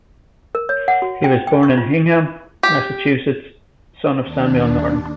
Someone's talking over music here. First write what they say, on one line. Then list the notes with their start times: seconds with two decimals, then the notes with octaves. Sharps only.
He was born in Hingham, Massachusetts, son of Samuel Norton.
0.55 A#4
0.69 C#5
0.88 F#5
1.02 F#4
1.24 G5
1.47 G5
1.63 C#6
1.78 F4
2.63 G4
4.21 D#2 D4